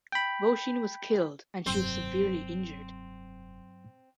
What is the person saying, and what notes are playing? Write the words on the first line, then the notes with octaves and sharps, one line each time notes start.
Voisin was killed, and she was severely injured.
G5 B5
F1 G2 F#3 C4 C5